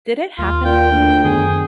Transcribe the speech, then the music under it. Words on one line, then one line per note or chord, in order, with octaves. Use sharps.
Did it happen?
D#2 F4
A#2 G5
D2
F#2 D#3 B3 G#4